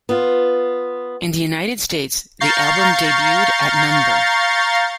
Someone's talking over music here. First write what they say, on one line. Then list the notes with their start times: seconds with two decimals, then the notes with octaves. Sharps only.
In the United States, the album debuted at No.
0.09 B3 F4
2.40 F5 A#5 C#6 G6 A6 C7